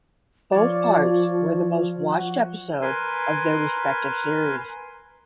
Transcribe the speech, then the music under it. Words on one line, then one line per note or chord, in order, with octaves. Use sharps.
Both parts were the most watched episode of their respective series.
F3 F4 C#5 D5
F#4
A#4 B4 G#5 C6